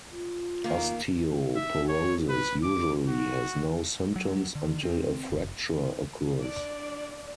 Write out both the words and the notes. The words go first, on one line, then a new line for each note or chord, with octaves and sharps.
Osteoporosis usually has no symptoms until a fracture occurs.
F4
D#3 A#3
E5
C#5
B4
D6
F#4
F#3
D3
C4
F#1
D4 D5